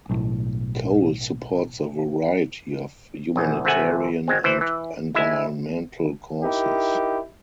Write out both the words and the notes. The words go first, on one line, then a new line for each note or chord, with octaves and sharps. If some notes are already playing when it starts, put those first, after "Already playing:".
Cole supports a variety of humanitarian and environmental causes.
B1 A2
A#1 E2
G#1 C3 A3 E5 F#5 G#5
G#1 G#3 C4
E3 C5
E3
G#3 E4 E5
D#4 E4 G4 A#4